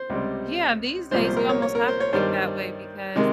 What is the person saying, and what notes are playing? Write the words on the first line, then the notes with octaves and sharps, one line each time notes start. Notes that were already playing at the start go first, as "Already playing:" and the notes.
Yeah, these days, you almost have to think that way because
Already playing: C5
C#2 C3 G3
C2 A#2 F3 G#3 C5
C5
A#4
C#5
C#5
A#4
C5
C#5
G2 D#3 G3 C5
C3 D#3 G#3